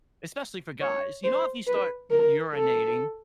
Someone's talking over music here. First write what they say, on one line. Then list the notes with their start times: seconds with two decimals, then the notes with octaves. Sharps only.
especially for guys. You know, if you start u urinating
0.81 C#5
1.24 C5
1.67 B4
2.11 A#4
2.54 A4